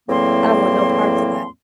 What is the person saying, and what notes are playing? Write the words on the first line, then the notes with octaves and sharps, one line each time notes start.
I don't want no parts of that.
E2 A2 F#3 A#3 C4 C6